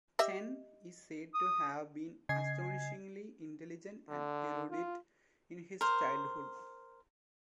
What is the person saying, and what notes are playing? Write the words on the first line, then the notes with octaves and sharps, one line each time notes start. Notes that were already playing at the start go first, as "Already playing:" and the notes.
Chen is said to have been astonishingly intelligent and erudite in his childhood.
G4 D#5 E5
D#6
C#3 D#5 G#5 G#6 C7
D3
F4
A#4 C5